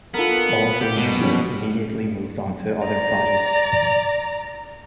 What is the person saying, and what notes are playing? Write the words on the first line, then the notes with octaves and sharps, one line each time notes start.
All three members immediately moved on to other projects.
B3 F4 A4 A#4
G4
B2
F3 G3 C#4
D5 A#5